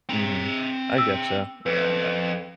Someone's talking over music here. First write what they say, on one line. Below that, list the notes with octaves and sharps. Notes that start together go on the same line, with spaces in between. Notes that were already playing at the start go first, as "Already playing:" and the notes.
Mhm. I get you, yeah I
C4 A#5
E6
F2 B4